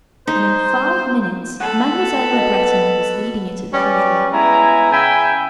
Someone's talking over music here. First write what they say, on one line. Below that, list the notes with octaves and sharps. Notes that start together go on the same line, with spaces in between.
And in five minutes Mademoiselle Le Breton was leading it as usual.
D#4 C5
A4 F#5 B5
B2
G3 C#4 B4 D5
G#3 B3 E4 G#5 A#5
C#3 E5 G5 G#5 B5